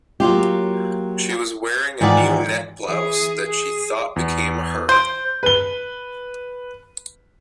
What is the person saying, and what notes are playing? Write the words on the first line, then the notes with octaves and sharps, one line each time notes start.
She was wearing a new net blouse that she thought became her.
F#3 A#3 F4 G4
G#2 D#3 E3 F4 D5 F#5
E3 G#4
G#4
E2
C5 G6 D7
B4 G7